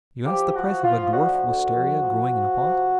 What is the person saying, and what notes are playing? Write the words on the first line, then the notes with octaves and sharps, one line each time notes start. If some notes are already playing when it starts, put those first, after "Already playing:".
You ask the price of a dwarf wistaria growing in a pot.
F3 G4
F3 F#4
F3 F4
D2 F#4
D2
F3
F3
F3
C3